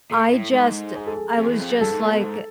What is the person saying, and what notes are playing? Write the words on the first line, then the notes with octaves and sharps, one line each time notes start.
I just I was just, like, eh,
A#2 A4
A2
G#2
G#4
A4
G#4
F2
E2
F2
F#2
G2 A4
G#2
A#2
B2
G#2